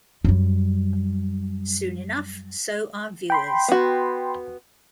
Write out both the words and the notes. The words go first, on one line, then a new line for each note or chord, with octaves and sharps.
Soon enough, so are viewers.
F#2 G3
G5 B5 C6
B3 F#4